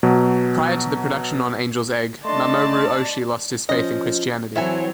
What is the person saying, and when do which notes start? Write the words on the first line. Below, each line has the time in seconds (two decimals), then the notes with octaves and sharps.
Prior to the production on "Angel's Egg", Mamoru Oshii lost his faith in Christianity.
0.03 B2 F#3
2.25 A3 D4 D5 D#5 A5 C6
3.69 F3 C#4 D#5
4.56 E3 F#3 C4 E4 A4 C#5 G#5